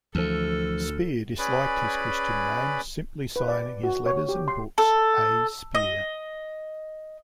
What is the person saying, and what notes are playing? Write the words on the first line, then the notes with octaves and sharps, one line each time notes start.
Spir disliked his Christian name, simply signing his letters and books "A. Spir".
D2 E3 F3 A4
C#4 G#4 B4 D5 B5
B4
D5
F#4
C#5
G4
C6
A4
D#5